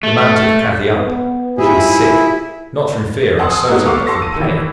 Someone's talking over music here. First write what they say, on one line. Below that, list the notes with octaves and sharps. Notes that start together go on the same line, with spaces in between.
The man took Cathy up; she was sick: not from fear, I'm certain, but from pain.
A3
B3
G#2 E4 F4 G4 G#4
F#5 G#5 A5 C6 D#6 E6
G#3 A#3 B3 D#4 F#4
G4 A4 B4 F5 C#6 D6
A5 C6 C#6 E6 A#6
D#7
D#3 E3